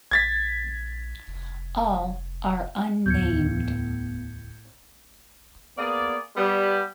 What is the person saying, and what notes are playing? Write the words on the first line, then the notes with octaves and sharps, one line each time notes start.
All are unnamed.
A#1 G#6 A6 B6
F1
D1 E2 A2 B3 G6 G#6 C#7
A#3 B3 G#4 D5
G3 B3